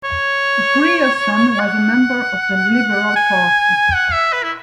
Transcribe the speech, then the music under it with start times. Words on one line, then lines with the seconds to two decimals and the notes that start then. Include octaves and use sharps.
Grierson was a member of the Liberal Party.
0.04 C#5
1.60 F#5
3.16 G#5
3.95 F#5
4.13 E5
4.33 B4
4.44 E4